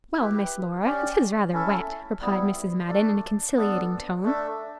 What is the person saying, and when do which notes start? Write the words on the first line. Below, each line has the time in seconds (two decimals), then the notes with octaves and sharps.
"Well, Miss Laura, it is rather wet," replied Mrs. Madden, in a conciliating tone.
0.18 E4 G4 B4
0.85 C#4 G4 D5
1.52 C#4 E4 A4 E5
2.21 G3 B3 E4
2.88 A3 D4 A4 D5
3.56 B3 D4 A4
4.24 A3 D4 A4 E5